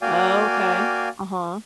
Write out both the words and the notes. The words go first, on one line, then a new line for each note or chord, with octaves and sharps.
Okay, uh-huh.
A#3 F#4 D5 F5 G5 G#5